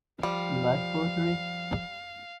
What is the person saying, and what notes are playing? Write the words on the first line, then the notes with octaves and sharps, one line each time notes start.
You like poetry?
F3 G3 F5